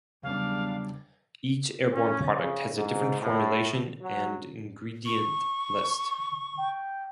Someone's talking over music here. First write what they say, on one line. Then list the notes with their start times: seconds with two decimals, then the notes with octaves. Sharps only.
Each Airborne product has a different formulation and ingredient list.
0.23 E2 C#3 F#3 G3 D4 F5
1.91 C#4
2.36 C#3
2.76 G#2
3.20 A2
4.00 F#3
5.06 C#6
6.58 G5